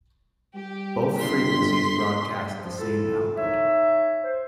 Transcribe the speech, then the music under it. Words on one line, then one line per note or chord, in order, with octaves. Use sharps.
Both frequencies broadcast the same output.
G3 G4
G1 C6 B6
F3
E4 F4 A4
D#4 C#5 E5
C5